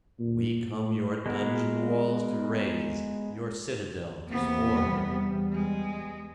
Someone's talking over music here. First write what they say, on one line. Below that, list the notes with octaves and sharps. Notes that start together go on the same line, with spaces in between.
We come your dungeon walls to raze, your citadel to spoil!
A#2
A2
G#3 B3 F#4 A#4
E2 C3 E3 A#3 B3
E2 G3
G#3